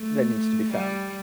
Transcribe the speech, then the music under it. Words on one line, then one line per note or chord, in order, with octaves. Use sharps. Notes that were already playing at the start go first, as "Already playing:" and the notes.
that needs to be found.
Already playing: A3
G3